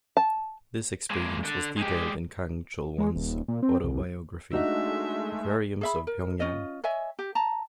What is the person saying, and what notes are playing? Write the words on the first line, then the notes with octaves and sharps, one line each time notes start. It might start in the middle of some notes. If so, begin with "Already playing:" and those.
This experience was detailed in Kang Chol-Hwan's autobiography "Aquariums of Pyongyang".
A5
G#3 A#3
D3 D4
G#3 G4
G#3
D#1
A#2
C4
C2
G#3 A3 D4 D#4 F#4 E5
G#4 E5 B5
A#4
C#4 F4 D#5
C#5 D#5 E5 G#5
G4
A5 A#5